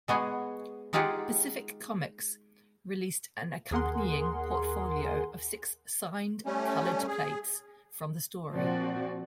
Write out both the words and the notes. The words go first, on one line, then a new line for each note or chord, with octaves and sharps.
Pacific Comics released an accompanying portfolio of six signed, colored plates from the story.
G#3 B3 F#4 G#4
G#3 D#4 F4 G4 G#4 F#5
D#2 G#4 A#4 F#5 C6
G3 A3 C#4
G#4
A#2 F3 C4 F#4 D5